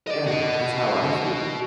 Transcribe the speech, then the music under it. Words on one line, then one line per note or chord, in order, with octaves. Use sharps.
Yeah. That's how I feel.
D5 D#5
F#4 D#5